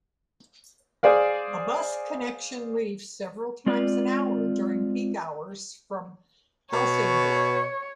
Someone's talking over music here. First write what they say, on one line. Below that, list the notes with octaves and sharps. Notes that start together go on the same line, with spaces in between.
A bus connection leaves several times an hour during peak hours from Helsingborg.
G#4 C5 D5 F5
G#3 C4 F4 D5
B2 C#5